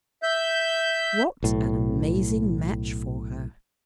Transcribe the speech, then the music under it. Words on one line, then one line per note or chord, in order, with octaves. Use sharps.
What an amazing match for her!
E5 G6
B1 A2